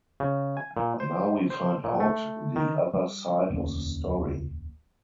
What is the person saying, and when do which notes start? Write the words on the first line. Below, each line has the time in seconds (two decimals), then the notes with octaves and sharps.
Now we find out the other side of the story.
0.20 C#3
0.57 G#5
0.77 A#2
1.00 C5
1.50 C5
1.84 A#2
2.00 A3
2.56 D#3
2.94 G3
3.50 D1 E2 A#3 C#4